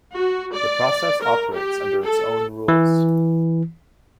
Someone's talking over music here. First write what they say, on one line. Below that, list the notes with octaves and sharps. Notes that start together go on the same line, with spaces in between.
The process operates under its own rules.
F#4
D5
A#4
G4
A4
E3